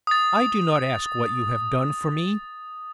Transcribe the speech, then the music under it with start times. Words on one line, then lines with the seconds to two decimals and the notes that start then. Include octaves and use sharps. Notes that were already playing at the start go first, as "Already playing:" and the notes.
I do not ask what you have done for me.
0.07 D#6 A6